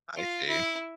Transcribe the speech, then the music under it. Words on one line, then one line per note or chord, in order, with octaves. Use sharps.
I see.
F4
E4